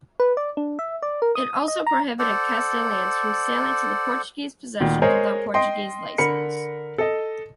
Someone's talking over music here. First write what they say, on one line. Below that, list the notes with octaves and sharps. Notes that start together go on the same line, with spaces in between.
It also prohibited Castilians from sailing to the Portuguese possessions without Portuguese licence.
B4
D5
D4
E5
D5
A#4
D#6
D#5
A#5
A4 C5 D5 F#5
D2 A#2 D#3
G#3 G#4 A#4 C5 C#5 D#5
D#5 G5 C6
D3 A#4 B5 C#7
A4 D#5